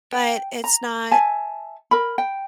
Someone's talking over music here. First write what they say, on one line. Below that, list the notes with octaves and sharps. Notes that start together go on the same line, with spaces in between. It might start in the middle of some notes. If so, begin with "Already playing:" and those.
but it's not
G5
A#5
E5 G#5 A5
A#4 B5
G5